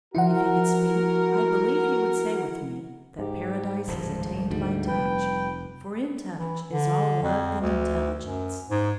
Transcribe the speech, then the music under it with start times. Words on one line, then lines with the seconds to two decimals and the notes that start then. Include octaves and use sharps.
If he could speak, I believe he would say with me that paradise is attained by touch; for in touch is all love and intelligence.
0.15 F3 E4 F#4 A#4 F#5 C#7
3.19 G#2 G4
3.87 D#1 C#2 A2 F3
4.50 D2 G#2 G3
4.88 F1 B4 G5
6.38 E3
6.71 D3
7.23 F2
7.61 D2
8.21 F#2
8.70 G#2